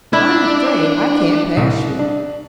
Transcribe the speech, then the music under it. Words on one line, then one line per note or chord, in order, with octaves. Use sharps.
"I'm afraid I can't pass you."
D4 E4
C2
D4